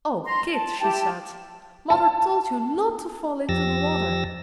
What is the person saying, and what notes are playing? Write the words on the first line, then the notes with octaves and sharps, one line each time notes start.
"O Kit," she said, "Mother told you not to fall into the water!"
A#5 C6
A5
E4 G4 G5 A5
A5
F2 F3 G4 E6 A6 A#6